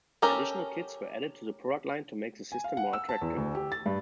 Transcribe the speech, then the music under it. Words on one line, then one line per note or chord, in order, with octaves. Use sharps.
Additional kits were added to the product line to make the system more attractive.
C#4 G4 A4 A#4
G#5
F5
F#5
E6
A5
E2
D2
G4
A6
G2